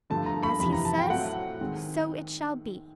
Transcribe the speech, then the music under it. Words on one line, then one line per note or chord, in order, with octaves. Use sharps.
As he says, so it shall be.
G2 D3 F3 A3 A5
A#5
B5
F2 C3 E3 B5
A#5
A5
G5
A2 F#3 A3 C4 F#5
D#3 G#3 C4